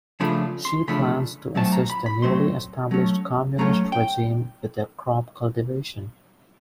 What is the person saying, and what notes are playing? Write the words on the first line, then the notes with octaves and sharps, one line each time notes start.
She plans to assist the newly established communist regime with their crop cultivation.
C#3 F3 A3 D4 B5
C6
C#3 F3 A3 D4 B5
A2 F#3 A3 C4 A5
A#5
B5
B5
A2 F#3 A3 C4 C6
F#3 A3 C#4
F#3 A3 C#4 A#5
G5